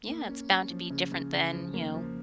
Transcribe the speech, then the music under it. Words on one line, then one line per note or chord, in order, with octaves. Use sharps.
Yeah, it's bound to be different than, you know,
A#3
C#4
C#4
F3
C#3
C#3
C#3
F3
A#3
F3